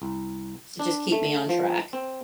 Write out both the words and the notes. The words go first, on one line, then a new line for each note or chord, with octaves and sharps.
to just keep me on track.
C2
D4
A3
F3
C4